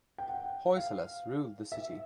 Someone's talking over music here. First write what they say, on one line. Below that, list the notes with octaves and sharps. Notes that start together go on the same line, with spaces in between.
Hoysalas ruled the city.
G5
F#5
F5
E5